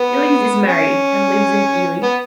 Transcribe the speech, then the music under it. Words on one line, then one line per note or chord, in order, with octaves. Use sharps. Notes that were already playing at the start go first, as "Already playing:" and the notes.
Gillies is married and lives in Ely.
Already playing: B3
C#4
B3